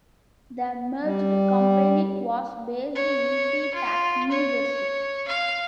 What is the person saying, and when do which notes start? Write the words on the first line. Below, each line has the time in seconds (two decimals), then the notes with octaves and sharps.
The merged company was based in Peapack, New Jersey.
1.04 G3
2.95 C#5
3.74 F4
4.31 C#5
5.28 F5